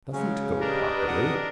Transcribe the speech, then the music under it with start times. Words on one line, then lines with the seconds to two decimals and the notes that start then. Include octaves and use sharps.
Doesn't go properly.
0.12 C#3 F#3 G#3 C#4
0.60 D4 G4 A#4 B4 D#5
1.08 F2 F#5 D#6